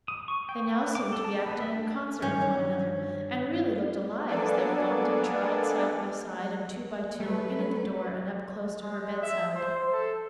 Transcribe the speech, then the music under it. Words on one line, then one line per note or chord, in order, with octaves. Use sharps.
They now seemed to be acting in concert with one another, and really looked alive as they bumped and trotted side by side, and two by two, in at the door and up close to her bedside.
D#6
C#6
G5
B3
D6
A4
A5
B3
E5
D4
G2 D#3 C#4 C#5 G6
A#3 B3 D4 A4 D5 G#5
F#3 G3 A3 B4
G#3
E5
C5
A4